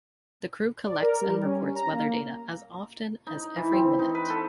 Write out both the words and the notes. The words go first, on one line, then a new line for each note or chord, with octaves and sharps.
The crew collects and reports weather data as often as every minute.
D5
A#4
G3
C#4
A#5
A#3
D#4
E3
C4
D#4
B4
A4